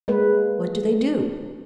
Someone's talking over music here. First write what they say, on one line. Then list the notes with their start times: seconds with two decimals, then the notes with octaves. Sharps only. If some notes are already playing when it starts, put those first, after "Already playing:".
"What do they do?"
0.08 G#3 A#3 B4